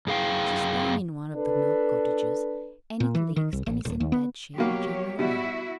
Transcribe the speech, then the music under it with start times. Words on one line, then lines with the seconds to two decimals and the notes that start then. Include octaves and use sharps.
She's down in one of the mill cottages, and it leaks and is in bad shape generally.
0.07 F#2 G#4 F5 G5
1.37 D4 A4 B4
3.00 A#2
3.15 E3
3.36 D#3
3.53 C2
3.66 A1
3.85 D#1
4.00 D#2
4.12 B3
4.58 B2 F#3 A#3 G4 C#5
5.19 B2 G3 E4 F#4